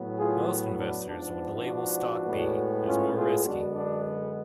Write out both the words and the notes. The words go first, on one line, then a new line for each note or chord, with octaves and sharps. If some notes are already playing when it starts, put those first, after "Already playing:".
Most investors would label stock B as more risky.
Already playing: A2 F#3 B3
F4 G#4
D4
G#2 F3 B3 D4
D4 F#4
A2 G#3 B3
C#4 F4
F4 G#4
F#2 D3 G#3 B3 D4 F#4
D4 F#4